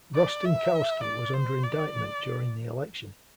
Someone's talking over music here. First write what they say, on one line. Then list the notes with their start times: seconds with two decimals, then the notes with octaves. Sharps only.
Rostenkowski was under indictment during the election.
0.15 D5
0.44 E5
1.04 D5
1.34 C5
1.63 D5